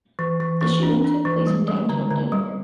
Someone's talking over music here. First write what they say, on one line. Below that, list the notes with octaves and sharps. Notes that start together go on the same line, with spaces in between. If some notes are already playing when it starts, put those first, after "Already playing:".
The shooting took place in downtown Denver.
E3
E3
E3
D4
D4
E3
G3
G3
D3
D3
G3